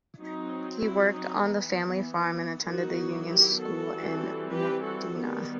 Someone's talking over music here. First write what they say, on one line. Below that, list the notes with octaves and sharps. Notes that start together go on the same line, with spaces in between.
He worked on the family farm and attended the union school in Medina.
F#3 C4 D#4
E4
D#4
E3 B3
D#3 F#3 B3 D#4 F#4
E4 G4
F#4 A4
E3 G3 C4
G4 B4
F#4 A4
D#3 G3 B3